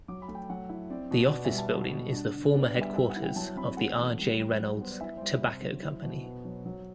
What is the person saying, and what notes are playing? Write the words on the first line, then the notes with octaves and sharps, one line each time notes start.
The office building is the former headquarters of the R. J. Reynolds Tobacco Company.
F#3 D6
B5
A3
G5
F#3 F#5
E4
C4 D5
B2
B3 D5
E5
G3
A5
B2
B2
D4
D3
B3 D5
D5
G3
E5
B3 E5
F#5
E4
G5
F#3 A5
C4 B5
A3 F#5
E3
G3
G3
F#3
B3 C5
D5
E4 E5
C5
G3 D5
C3 C5
F#3
E4 C5
B2
B3
F#3
F#3